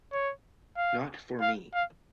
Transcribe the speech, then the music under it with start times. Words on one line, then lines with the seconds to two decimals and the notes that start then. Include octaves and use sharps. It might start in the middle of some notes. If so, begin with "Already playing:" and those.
Not for me.
0.13 C#5
0.77 F5
1.41 F5
1.74 F5